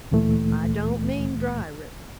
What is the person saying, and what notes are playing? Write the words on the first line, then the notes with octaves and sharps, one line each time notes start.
I don't mean dry river.
D2 A#2 E3 A3